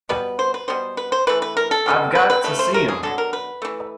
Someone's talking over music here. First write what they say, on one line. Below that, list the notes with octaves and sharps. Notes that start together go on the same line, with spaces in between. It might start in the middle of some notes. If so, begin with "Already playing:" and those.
I've got to see him.
B2 G3 B3 B4
C5
B4
B2 G3 B3 C5
B4
C5
E3 A3 B4
B4
A#4
A4
C3 E3 G3 B3
B4
B4
C#3 F#3 A3 B4
C5
A#4
G#4
D3 F#3 B3 A4
A#4
B4
E3 A3